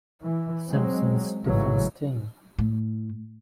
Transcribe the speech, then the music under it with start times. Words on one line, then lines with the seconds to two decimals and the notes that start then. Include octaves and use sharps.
Simpson's defense team.
0.22 E3
0.69 F#3 G#3 C4
1.45 A1 G#2 C#3 E3 F#3
2.59 A2